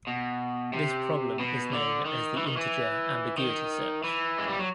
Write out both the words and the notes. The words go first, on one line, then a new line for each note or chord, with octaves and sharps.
This problem is known as the integer ambiguity search.
B2
C3
B2
D3
D#3
E3
D#3
E3
D#3
E3
G#3
G3
F#3